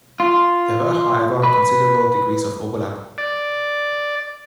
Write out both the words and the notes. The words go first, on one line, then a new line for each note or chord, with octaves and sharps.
There were however considerable degrees of overlap.
F4
B4
D5